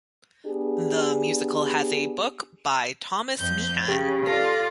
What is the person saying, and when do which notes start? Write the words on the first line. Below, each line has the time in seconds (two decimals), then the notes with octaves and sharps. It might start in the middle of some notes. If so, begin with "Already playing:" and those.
The musical has a book by Thomas Meehan.
0.46 B3 D4 G4 G#4
3.38 F2 G6
3.88 C#3 G4
4.26 F4 A4 D5 A#6